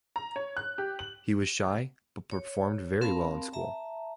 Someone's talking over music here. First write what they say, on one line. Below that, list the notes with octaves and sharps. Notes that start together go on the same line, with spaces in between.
He was shy, but performed very well in school.
A#5
C#5
F#6
G4
F#7
C#5
C4 A#4 F5 A5 B5
E5 A5 A#5